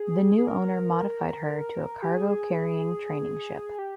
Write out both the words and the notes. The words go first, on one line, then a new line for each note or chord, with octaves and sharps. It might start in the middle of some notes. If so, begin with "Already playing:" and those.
The new owner modified her to a cargo-carrying training ship.
Already playing: G#4
G#4
A#4
G4
G#4
G4